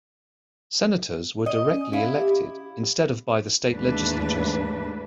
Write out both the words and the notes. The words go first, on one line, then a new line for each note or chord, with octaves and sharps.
Senators were directly elected instead of by the state legislatures.
D#5
C#4
E4 F5
G4
D#2 G#2 E3 A3 D4 B4